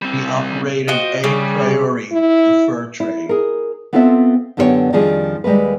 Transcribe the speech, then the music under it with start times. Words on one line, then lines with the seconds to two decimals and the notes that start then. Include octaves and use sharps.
He operated "a priori" the fur trade.
0.02 G3 C4
0.88 F3 F#4 D#5 G5
1.24 C#3 G3
2.11 E4
3.00 E4
3.29 G#4 A#4
3.93 B3 C4 F4 A4 C5 E5
4.57 F#2 D3 B3 G4 A4 C#5
4.93 F2 D#3 F3 G3 D4 G#4
5.44 D#2 G3 G#3 A#3 B4